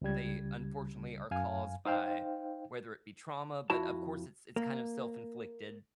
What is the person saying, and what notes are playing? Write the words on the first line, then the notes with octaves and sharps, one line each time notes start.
they unfortunately are caused by whether it be trauma, but of course it's it's kind of self-inflicted,
C#2 C#3 G3 G#6
F#2 F5 G#5
D#4 C5 F5 G5
F2 E4 F#4 A5
A#3